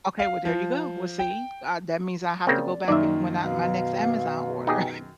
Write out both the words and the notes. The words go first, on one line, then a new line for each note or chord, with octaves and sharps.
Okay, well there you go, we'll see, uh, that means I have to go back, and when I my next Amazon order
F5
F3
G5
C#3 A#3 C4 D5
F#2 D#3 A#3 D#4 D5 E5
B2 F5
D#4 G4 G#4